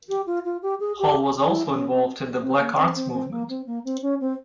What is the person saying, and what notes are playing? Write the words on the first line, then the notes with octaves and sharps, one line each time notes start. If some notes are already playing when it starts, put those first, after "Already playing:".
Hall was also involved in the Black Arts Movement.
G4
F4
F4
G4
G#4
G4
E4
C#4
C4
C4
A#3
C4
C4
C4
A#3
C4
A#3
C4
C#4
C4